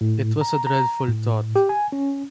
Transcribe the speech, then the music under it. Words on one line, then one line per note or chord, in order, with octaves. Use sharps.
It was a dreadful thought.
A2
A#5
A#5
A2
G4
G#5
C#4